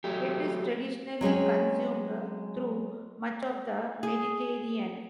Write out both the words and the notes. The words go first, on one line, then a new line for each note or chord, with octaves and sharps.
It is traditionally consumed through much of the Mediterranean.
F#3 A3 G4
F#3 G#3 C4 C#4
G#4